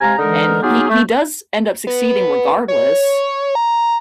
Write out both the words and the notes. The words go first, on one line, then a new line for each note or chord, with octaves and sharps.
and he he does end up succeeding regardless,
C3 G#3 F5 G#5 A#5
D3 E3 G#3 D#4 A#4
F#3 B3 D#4 F4 G4 G#4
A3
B3
C#5
A#5